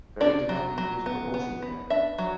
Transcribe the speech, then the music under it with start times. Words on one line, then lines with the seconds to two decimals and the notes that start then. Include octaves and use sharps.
Very demanding bit of emoting there.
0.21 D4 D5
0.49 F#3
0.78 F#3
1.06 B3
1.34 B3
1.62 B3
1.90 D4 E5
2.18 F#3